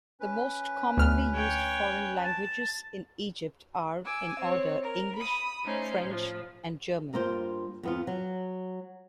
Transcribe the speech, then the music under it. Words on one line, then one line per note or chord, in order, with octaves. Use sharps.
The most-commonly used foreign languages in Egypt are, in order, English, French, and German.
C#4 B4
D2 F6
C#5 G5
A5
G#5 D6 E6
C4 C#5
A#4
B5 D#6
A3 C#4 D#4 C5
A2 F3
G2 A#3 E4 F4 C5
F2 B3 F4
F#3